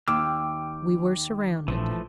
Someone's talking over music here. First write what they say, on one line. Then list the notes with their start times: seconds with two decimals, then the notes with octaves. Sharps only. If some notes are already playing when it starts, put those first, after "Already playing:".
We were surrounded.
0.08 D#2 G5 D6 E6 F6
1.68 A#1 E3 F3 A3